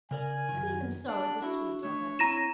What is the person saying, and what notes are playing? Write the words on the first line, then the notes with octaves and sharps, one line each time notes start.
But even so it was sweet of her.
C#3 A#4 D5 G#5
F#2 D#3
D4 F#5
D4 E4 F#4
A3 D4 C#5
C4 E4 A#5 A#6 E7